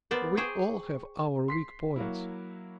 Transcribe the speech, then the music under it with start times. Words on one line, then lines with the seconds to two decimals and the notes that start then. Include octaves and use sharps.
We all have our weak points.
0.11 B3 A#4 C5 D5
0.37 G#4 C5 G5 C#6
1.48 C6 B6 C7
1.96 F#3 A#3 E4